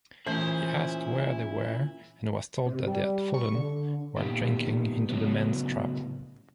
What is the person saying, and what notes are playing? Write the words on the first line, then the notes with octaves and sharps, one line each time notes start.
He asked where they were and was told that they had fallen, while drinking, into the men’s trap.
A#2 E3 A3 C#4 E4 G#4 C5
C3
G3
C#6
D3
A#2 D#3 B3 G4
A2 C#3 F#3 B3